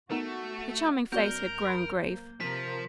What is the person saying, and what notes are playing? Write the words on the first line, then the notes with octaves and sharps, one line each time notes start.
Her charming face had grown grave.
A3 B3 D#4 F#4 A#4
F#2 B3 F#4 A#4 D5 G6 G7
B5 C6 B6
A#3 C5
C3 F3 A#4 B6